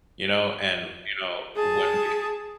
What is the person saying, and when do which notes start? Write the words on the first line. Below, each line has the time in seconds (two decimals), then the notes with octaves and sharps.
you know, and, you know, when we
1.56 G#4 A5